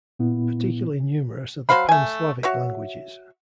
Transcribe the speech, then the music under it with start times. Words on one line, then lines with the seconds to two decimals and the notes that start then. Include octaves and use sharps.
Particularly numerous are the Pan-Slavic languages.
0.19 A#2 B3 E4
1.69 F#3 C5 F5 B5
1.89 A3 G#5
2.43 F#4 C#5 E5